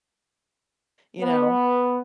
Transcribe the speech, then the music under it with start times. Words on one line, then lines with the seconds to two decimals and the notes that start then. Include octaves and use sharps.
you know?
1.19 B3